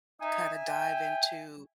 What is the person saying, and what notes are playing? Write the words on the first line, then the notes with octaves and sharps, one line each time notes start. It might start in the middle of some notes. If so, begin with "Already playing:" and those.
kinda dive into,
D#4 E5 G#5
G5